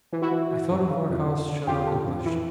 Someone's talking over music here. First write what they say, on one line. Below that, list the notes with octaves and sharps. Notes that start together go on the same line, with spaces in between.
I thought of our house shut up and hushed.
E3
E4 F#4
E3
E3
F#2
C#3
F2
D3
D3
F2 F4 G4
D3
F2
E3